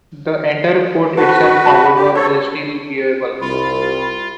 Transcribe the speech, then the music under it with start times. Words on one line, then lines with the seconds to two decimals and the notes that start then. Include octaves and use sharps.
The entire court itself, however, is still viewable.
1.17 F#4 A4 B4 C5
1.66 A5 B5
1.95 G4
2.15 A4 C5 C#5
3.41 C2 F4 B5